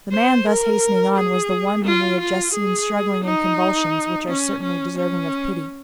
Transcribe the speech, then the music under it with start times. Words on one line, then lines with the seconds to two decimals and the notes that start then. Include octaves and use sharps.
The man thus hastening on was the one whom we have just seen struggling in convulsions which are certainly deserving of pity.
0.12 C5
0.46 A#4
1.16 G#4
1.85 F4
2.20 F4
2.55 G#4
3.25 D#4
4.28 C#4
4.63 C#4
4.98 C#4